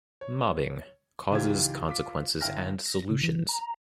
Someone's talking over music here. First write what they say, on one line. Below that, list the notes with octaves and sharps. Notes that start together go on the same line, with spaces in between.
"Mobbing: Causes, Consequences, and Solutions".
C#5
C#2 G#2 E3 F4 G4 G#6
F4 D6 B6
G1 E4 F5 G5 F6 A#6
A#6
C#3
E3
A#5